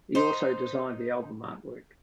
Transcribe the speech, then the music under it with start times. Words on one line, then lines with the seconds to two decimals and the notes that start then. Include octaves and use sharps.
He also designed the album artwork.
0.15 D#4 C5